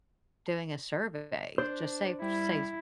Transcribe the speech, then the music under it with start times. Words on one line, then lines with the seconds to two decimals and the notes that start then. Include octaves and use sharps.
doing a survey, just say say
1.58 D4 C5
2.22 G3 E4